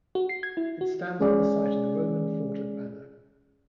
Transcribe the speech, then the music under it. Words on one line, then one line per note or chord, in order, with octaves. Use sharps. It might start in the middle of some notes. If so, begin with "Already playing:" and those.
It stands on the site of the Roman fort of Banna.
F#4
C7
G#6
E4
F#4
G#3 C#4 G#4 D5